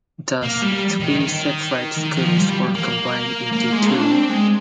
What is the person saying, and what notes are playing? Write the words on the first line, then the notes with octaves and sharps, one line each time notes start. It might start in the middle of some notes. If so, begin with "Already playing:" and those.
Thus, three separate schools were combined into two.
A#3
G3
D#3
D#3
D#3
F3
G3
A#3
A#3
G#3
D4
C4
G#3